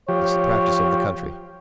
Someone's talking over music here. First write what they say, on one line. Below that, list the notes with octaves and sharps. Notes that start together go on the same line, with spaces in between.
It's the practice of the country.
F3 G4 C#5